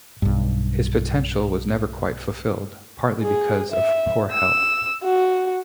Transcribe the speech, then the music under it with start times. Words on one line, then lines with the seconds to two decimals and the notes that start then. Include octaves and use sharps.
His potential was never quite fulfilled, partly because of poor health.
0.22 B1 G2
3.22 G#4
3.72 E5
4.32 E6
5.03 F#4